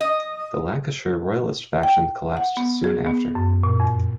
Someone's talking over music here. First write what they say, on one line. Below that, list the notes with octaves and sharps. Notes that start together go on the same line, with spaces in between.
The Lancashire Royalist faction collapsed soon after.
D#5
G5
F#5
B3
G#4
B3
F#2
A#2
F2